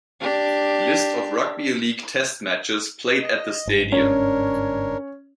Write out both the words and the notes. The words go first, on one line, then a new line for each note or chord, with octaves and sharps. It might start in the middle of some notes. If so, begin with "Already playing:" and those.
List of rugby league test matches played at the stadium.
D4 G4
D#5
G1 G#2
C#4 D4 A#4 C#5